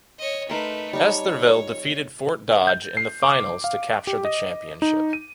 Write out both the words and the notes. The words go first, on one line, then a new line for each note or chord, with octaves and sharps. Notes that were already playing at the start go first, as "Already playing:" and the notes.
Estherville defeated Fort Dodge in the Finals to capture the championship.
C#5 D#5
A3 D#4 A#4 B4 C6
G3 D#4 C#5 A5
G6
C7
D6
F5
G4
D#5
D#4
D#7